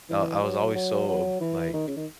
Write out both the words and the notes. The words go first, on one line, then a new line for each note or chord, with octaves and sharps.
I I was always so ob like
E3
F#3
F#3
F#3
E3
D#3
C#3
D#3